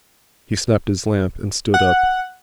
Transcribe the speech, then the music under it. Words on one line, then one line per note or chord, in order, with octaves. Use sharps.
He snapped his lamp and stood up.
F#5